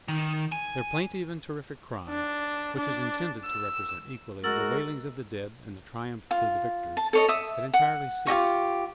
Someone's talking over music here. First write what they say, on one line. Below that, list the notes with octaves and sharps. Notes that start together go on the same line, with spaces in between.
Their plaintive and terrific cry, which was intended to represent equally the wailings of the dead and the triumph to the victors, had entirely ceased.
D#3
G#5
D4
D4
E6
G#3 F#4 A#4 E6 A6 F#7
F4
A5
A4 C#5 D#5
E5 D#6
F#5
F4 G4 D#5 C#6